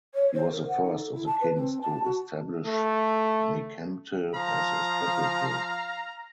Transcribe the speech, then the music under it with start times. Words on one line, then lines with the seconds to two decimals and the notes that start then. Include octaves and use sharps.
He was the first of the kings to establish Nekemte as his capital.
0.14 C#5
0.33 C5
0.52 A#4
0.67 F#5
0.84 D#4
0.98 A4
1.14 E4
1.26 A5
1.41 B4
1.55 C4
1.81 A5
2.04 F#4
2.65 A3
4.35 F3 F5 A#5